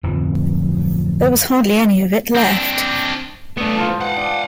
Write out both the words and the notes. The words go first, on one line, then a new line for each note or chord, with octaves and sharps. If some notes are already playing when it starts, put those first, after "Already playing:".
There was hardly any of it left.
D1 F2 E3 F3
C4 D4
A3 B3 D4 A4 D#6
B1 E3 F4 F5 A5
G#2 C5
B4 D#5 F5 F#5
D4